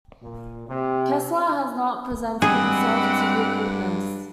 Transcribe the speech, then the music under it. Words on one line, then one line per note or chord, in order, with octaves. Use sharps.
Kessler has not presented himself to give witness.
A#2
C3
G2 G#3 C4 G#4 F#5 B5 D6